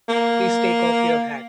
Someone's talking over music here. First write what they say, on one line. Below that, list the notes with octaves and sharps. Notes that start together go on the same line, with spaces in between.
Please take off your hat?
A#3